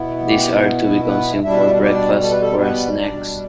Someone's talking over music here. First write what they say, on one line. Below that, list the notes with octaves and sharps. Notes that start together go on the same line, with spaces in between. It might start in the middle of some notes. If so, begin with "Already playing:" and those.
These are to be consumed for breakfast or as snacks.
Already playing: B2 B3 E4
G4
B3 B4
B2 G3 D4 E4 E5
D4 D5
A4
B4
A4
B3 B4
B2 G3 D4 D5